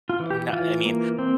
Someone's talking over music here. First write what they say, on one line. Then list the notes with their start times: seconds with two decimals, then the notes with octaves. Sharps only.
n I mean,
0.09 F4
0.20 E3
0.30 G4
0.53 E3 F4
0.85 A#3
1.19 C4